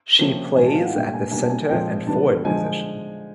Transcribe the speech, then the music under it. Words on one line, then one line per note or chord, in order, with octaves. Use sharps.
She plays at the Centre and Forward position.
C3 F3 A#3 C#4
A2 E3 G#3 C4 G#5
A5
F5
F#5
A#2 G3 A#3 D4 G5
G#5
B2 G3 A#3 D4 G#5
A5
G#5
A#2 F3 G#3 C4 G5
E3 G3 B3 D4 A5
D3 F3 G#3 G#5